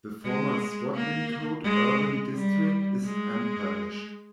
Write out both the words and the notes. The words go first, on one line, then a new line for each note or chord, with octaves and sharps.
The former Swadlincote Urban District is unparished.
G#3
A#3
G#3
G3
G#3